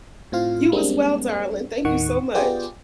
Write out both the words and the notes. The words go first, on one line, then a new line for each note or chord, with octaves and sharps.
You as well, darling, thank you so much.
A2 C4 F4 F5
G3 G#3 A#3 C4 D4
D#2 A2 D#3 F#5 C#6
B3 F4 G4 G#4 D5 G5